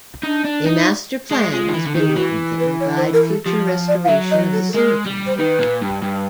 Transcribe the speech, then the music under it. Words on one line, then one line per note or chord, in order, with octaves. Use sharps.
A master plan has been written that will guide future restoration of the cemetery.
D4 D#4
D4
D#4
G#3
G#3 F4
D#3
E3
D3
D#3 G#4
G4
E3 F#4
B4
C#5
C5
A#4
A4
F3 G4
C#5
D5
F5
F#3 E5
D#5
A4
A4
G#3 A#4
G3
C5
D#3 B4
A#2
G2
G2